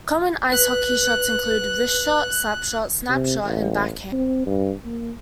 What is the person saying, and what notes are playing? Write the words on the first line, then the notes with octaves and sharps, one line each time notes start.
Common ice hockey shots include: wrist shot, slap shot, snap shot and backhand.
B4 F#6
C3
A1
C4
G2
A#3